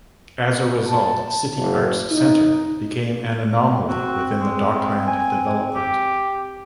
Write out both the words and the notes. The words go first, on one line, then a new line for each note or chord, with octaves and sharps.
As a result, City Arts Centre became an anomaly within the dockland development.
A5
F#1
D#4
C4 F#4
G#3
G#5
G4